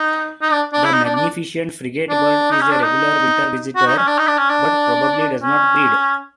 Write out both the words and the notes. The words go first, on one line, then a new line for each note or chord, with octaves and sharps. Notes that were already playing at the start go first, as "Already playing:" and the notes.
The magnificent frigatebird is a regular winter visitor but probably does not breed.
Already playing: D#4
D#4
D4
D4
E4
D#4
D4
D4
D4
D#4
C#4
D4
D#4
F#4
D#4
C#4
D4
D#4
D4
C#4
D4
C#4